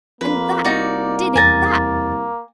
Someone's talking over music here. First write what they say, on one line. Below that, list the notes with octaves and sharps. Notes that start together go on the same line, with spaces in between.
And THAT did it--that!
F2 A#3 B4
C2 D#4 F#4 D5
E2 G#5 A#5 A6